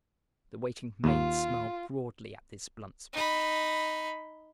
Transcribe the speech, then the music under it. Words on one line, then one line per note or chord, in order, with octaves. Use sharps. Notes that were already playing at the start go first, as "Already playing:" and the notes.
The waiting maid smiled broadly at this blunt speech.
D#2 F4
D#4 B5